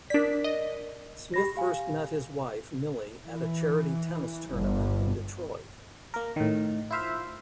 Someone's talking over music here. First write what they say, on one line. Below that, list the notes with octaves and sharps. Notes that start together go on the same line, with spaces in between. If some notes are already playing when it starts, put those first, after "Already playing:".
Smith first met his wife, Millie, at a charity tennis tournament in Detroit.
D4 A#4 D5 B6
D#5
G4 B5 A#6
G4 F5 G#5
E3
G1
A#3 A#4
A2 D#3
E4 F4 C5 E5 F5